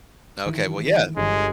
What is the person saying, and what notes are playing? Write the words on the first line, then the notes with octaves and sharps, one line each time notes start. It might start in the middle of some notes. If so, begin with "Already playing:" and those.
Okay, well, yeah,
D#3 E3
G1 G#3